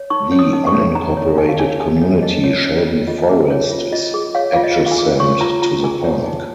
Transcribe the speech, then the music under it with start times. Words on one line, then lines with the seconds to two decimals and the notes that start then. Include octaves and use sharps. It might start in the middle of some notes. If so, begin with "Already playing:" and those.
The unincorporated community Shelby Forest is adjacent to the park.
Already playing: C#5
0.10 D#4 C#6
0.32 C#5
0.39 D#6
0.53 D#4
0.67 C#6
0.74 C#5
0.95 D#4 A#5
1.17 C#5
1.38 D#4 G#5
1.49 F5
1.59 C#5 G#5
1.80 D#4 G#5
2.01 C#5
2.23 D#4 D#5
2.44 C#5
2.66 C#5
2.87 F4
3.07 F4 D#5
3.29 G#4
3.50 C#5
3.71 F4
3.92 F4 D#5
4.14 G#4
4.35 C#5 F5
4.54 F4 F5
4.64 D#5
4.77 F4
4.86 F5
4.91 G#5
4.98 G#4
5.20 C#5 C#6
5.41 F4 A#5
5.62 F4 A#5
5.84 G#4 G#5
6.04 C#5
6.26 D#4